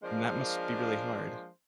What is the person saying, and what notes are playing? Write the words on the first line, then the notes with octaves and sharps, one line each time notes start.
and that must be really hard.
F3 G#3 A#3 D4 C5